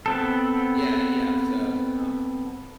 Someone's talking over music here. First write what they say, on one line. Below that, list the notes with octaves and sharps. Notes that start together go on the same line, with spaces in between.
Yeah, eh yeah, so, um
B3 C4 A4